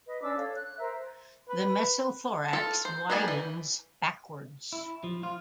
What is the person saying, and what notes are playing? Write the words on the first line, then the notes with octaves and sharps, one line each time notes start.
The mesothorax widens backwards.
B4 D#5
C#4 D4 D6 E6
A4 C#5 F5
F#6
A#4 C5 E5 A#5
B4
F4 A4
C5
G3 A#3 D4 D#5 G#5
E3
E4
F3
F4